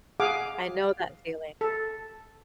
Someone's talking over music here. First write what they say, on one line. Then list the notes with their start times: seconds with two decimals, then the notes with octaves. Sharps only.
I know that feeling.
0.20 G#4 F5 F#5 D6
1.61 A4